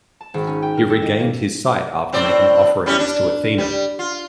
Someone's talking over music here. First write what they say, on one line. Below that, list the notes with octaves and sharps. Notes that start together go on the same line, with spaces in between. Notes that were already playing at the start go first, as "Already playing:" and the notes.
He regained his sight after making offerings to Athena.
A5
G#1
C#4
G5
A#4
A4
D#5
A#3
A2 C4 D5
G3 C#4 E4
D4
G3
F4